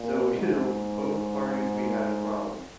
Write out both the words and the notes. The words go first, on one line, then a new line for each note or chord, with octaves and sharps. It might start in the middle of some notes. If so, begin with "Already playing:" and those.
So, you know, both parties, we had a problem
Already playing: A#2
G#2